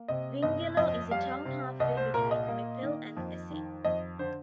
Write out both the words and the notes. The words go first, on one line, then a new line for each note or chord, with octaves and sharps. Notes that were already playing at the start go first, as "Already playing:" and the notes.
Dwingeloo is a town halfway between Meppel and Assen.
Already playing: A#3
C3 D#5
G1 D#5
F2 D#5
G3 F5
C3
C2 D#5
C5
A#2 A#4
D#5
A#3
D#3
F2
D#3
F2 D#5
D3 C5